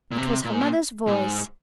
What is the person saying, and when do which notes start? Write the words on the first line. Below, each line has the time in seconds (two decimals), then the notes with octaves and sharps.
It was her mother's voice.
0.12 A#2
0.18 C3
0.44 A#2
0.52 G#2
0.61 A#2
1.07 A#2
1.11 G#2